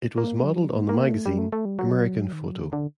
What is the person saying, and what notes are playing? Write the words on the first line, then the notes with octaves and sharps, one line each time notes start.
It was modeled on the magazine "American Photo".
A#3
F#3
A#3
A#3
A3
G3
A3
A3
G3
F#3
D#3
F#3
D3
D3